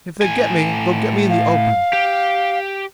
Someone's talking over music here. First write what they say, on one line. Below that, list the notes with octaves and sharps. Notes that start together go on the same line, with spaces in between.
If they get me, they'll get me in the open.
A2 G#5
F5
G4